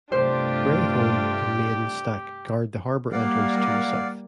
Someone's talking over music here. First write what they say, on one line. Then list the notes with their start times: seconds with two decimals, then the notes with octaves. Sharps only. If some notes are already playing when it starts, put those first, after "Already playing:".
Brei Holm and Maiden Stack guard the harbour entrance to the south.
0.12 G2 C3 A3 D4 F4 G4 C5
3.12 G3 A#3 D5 F5 F#5